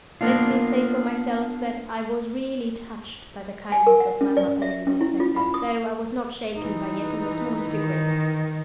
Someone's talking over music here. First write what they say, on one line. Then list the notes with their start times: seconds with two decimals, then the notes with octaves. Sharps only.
Let me say for myself that I was really touched by the kindness of my mother-in-law's letter, though I was not shaken by it in the smallest degree.
0.21 A#3 B3 D4 F4
3.72 G#5
3.87 A#4
4.00 F#5
4.21 C#4
4.37 D5
4.62 E5
4.87 C#4
5.01 E4
5.20 F4
5.36 B5
5.54 D#6
6.56 E3 D#4
7.68 D#3